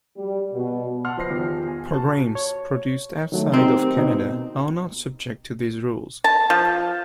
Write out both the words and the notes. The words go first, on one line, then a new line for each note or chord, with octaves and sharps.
Programs produced outside of Canada are not subject to these rules.
G3
B2
F#5 A5 C6 F6
F3 B3 C5 A#6 C7
E2 D#3 F3 G4
G#5
F#4 A5
C#5
D#3 F#3 A3
C4 D#4 G4 A#4
B2 D#4
A5
F3